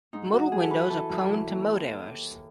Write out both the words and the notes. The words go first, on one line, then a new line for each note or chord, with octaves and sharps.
Modal windows are prone to mode errors.
G#2 D#4
E3 F#4
F#2 G#4
A4
E3 B4
E3 A4
F#2
E3
D#2
D#2